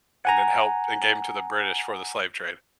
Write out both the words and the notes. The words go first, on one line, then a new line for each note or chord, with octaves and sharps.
and then helped and gave 'em to the British for the slave trade,
F#5 G#5 A#5